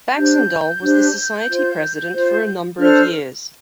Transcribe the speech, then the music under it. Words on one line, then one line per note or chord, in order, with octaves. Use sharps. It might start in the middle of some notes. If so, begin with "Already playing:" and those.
Baxandall was the Society president for a number of years.
D4 G4 C5 G6
D4 G4 C5
F4 C5
F4 C5
D4 A4 C5 F6